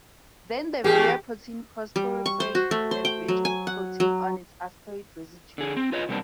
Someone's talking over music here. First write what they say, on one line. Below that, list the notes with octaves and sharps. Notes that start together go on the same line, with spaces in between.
Then the virA protein phosphorylates the virG protein on its aspartate residue.
E2 A#3 G4 G#4
G3
C#6
C5
F#4
A3
C5
G5
F#3
G#5
F#5
F#3
D3 G#4
C4
F4 B4 C#5 D#5
C3 G3 A#3 C4 D4